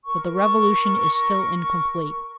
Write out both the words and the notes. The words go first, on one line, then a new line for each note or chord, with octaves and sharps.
But the revolution is still incomplete.
A#4 C#6